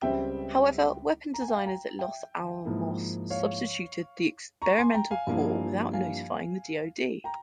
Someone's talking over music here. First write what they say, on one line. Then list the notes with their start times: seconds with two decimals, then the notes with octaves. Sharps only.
However, weapon designers at Los Alamos substituted the experimental core without notifying the DoD.
0.02 C#2 C#3 G3 C4 E5 G5
1.34 A#5
1.41 G#5
1.48 G5
1.56 F5 G#5
1.66 G5 A#5
1.99 E5 G5
2.65 G#2 F3 A#3 E4
3.30 C#5 F5
4.62 A#5 C#6
4.78 G#5 C6
4.94 G5 A#5
5.11 F5 G#5
5.27 G2 F3 A#3 E4
5.93 F5 G#5
7.24 G5 A#5